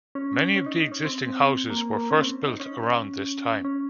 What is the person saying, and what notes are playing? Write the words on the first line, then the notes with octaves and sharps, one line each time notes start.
Many of the existing houses were first built around this time.
C#4
C#4
D#4
D#4
C#4
C4
A#3
A#3
C#4
C4
D#4
C#4
C#4